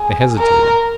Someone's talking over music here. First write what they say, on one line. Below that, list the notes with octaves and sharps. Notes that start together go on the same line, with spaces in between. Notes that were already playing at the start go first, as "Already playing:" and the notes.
They hesitated.
Already playing: G#4
A#4